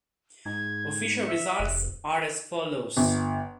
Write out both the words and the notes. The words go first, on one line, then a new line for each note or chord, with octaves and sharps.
Official results are as follows.
G#2 G#6
C#7
E5
F1
G1